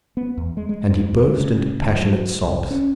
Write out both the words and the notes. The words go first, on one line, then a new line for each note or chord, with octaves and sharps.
And he burst into passionate sobs.
B3
E2
G#3
G#3
F#2
E2
G#3
C#3
D2
F#3
C2
C#4